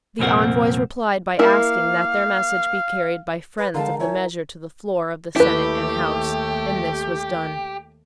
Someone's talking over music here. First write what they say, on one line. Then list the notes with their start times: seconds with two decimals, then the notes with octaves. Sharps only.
The envoys replied by asking that their message be carried by friends of the measure to the floor of the Senate and House, and this was done.
0.19 C2 F2 A#2 C4 A#4 F#5
1.39 A#3 E4 F5
3.58 B4
3.74 D3 G#3 A#4 F5 G5 A5
4.00 E4 C#5 G#5
5.36 D#2 A3 E4 G4 B4